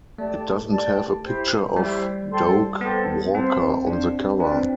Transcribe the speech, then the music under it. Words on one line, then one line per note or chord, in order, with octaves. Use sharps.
It doesn't have a picture of Doak Walker on the cover.
A3 G4 D5 A5
G4 D5 A5
E4 G4 C5
G3 E4 G4 C5
A4 C5 G5 C6
B3 A4 C5 G5 C6
C4 C5 F5 A5 C6
D4 C5 F5 A5 C6
D4 F4 B4 D5 G5
C4